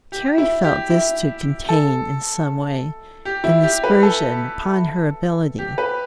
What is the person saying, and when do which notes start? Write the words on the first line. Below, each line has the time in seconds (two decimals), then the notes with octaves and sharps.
Carrie felt this to contain, in some way, an aspersion upon her ability.
0.12 G4
0.38 E4
0.64 G4
0.90 E4
1.69 A4
3.25 G4
3.44 E4
3.63 G4
3.84 B4
4.03 A4
5.59 G4
5.78 B4